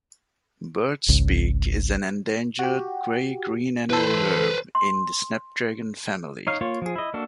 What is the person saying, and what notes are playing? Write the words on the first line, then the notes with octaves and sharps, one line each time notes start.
Bird's-beak is an endangered gray-green annual herb in the snapdragon family.
G#1 C#2
F#4 G4
E3 A4 B4 C5
C6
D#4 C#5 F5
A#3 F4 C#5
F3 G#4
E4 D#5
A#3 D4 F#4 A4